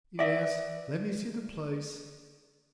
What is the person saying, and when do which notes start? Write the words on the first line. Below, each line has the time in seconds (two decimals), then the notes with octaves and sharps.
Yes, let me see the place.
0.19 D5 E5